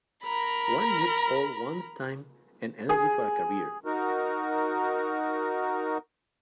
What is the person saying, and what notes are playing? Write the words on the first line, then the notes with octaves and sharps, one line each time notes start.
One needs all one's time and energy for a career.
A#4 A#5 B5
G#4
D#4 F#4 A#4